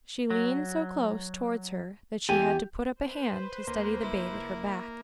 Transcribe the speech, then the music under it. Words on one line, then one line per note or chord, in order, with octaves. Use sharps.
She leaned so close towards her that she had to put up a hand to steady the babe at her back.
F#3
E2 G4 G#5
B4 C5
D2 A#3
F#1 E4